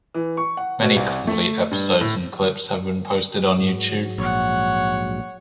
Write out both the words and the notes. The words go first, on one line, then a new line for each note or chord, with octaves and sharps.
Many complete episodes and clips have been posted on YouTube.
E3
C#6
F#5
B2
C2
A3
G2
A2
G#2 F#3
A#1 C#5 F#5